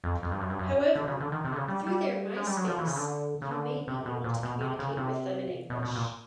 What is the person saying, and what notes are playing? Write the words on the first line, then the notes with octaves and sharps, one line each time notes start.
However, through their MySpace you may be able to communicate with them in English.
F2
F2
G2
F#2
G2
F#2
D3
C#3
D3
D#3
C3
D3
C#3
G3
G3
G#3
G3
F#3
F3
E3
C#3
D3
C#3
D3
C3
B2
A#2
B2
C3
C#3
C3
B2
B2
A#2